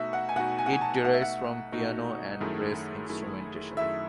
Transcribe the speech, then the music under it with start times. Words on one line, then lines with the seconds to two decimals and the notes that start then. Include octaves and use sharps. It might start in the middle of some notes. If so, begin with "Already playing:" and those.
It derives from piano and brass instrumentation.
Already playing: B2 A3 D#4 F#4 E5
0.13 F#5
0.29 G#5
0.36 B2 A3 D#4 F#4 F#5
0.58 G#5
0.66 F#5
0.73 G#5
0.81 A5
1.04 B2 A3 D#4 F#4 F#5
1.13 E5
1.22 F#5
1.72 B2 A3 D#4 F#4
2.40 F#2 D#3 A3 E4 G#4
3.09 F#2 D#3 A3 E4 G#4
3.77 F#2 D#3 A3 E4 G#4 E5